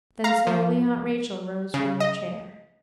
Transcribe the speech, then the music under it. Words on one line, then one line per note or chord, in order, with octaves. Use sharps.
Then slowly Aunt Rachel rose from her chair.
F5 A#5
F3
C#3
D#5